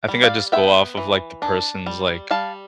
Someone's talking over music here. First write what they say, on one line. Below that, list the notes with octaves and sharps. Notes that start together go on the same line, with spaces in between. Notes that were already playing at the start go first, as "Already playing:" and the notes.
I think I just go off of, like, the person's, like,
G3
D5 F5
B3 E5 G5
E3
D4
G3
G3 F5 A5